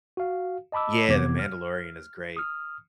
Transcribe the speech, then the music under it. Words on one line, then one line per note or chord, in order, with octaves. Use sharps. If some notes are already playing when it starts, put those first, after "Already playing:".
Yeah, The Mandalorian is great.
F#4 F5
D#5 A5 B5 D6 E6
F2 C3 E3 B3 D6 G#6
F6
D#6 F6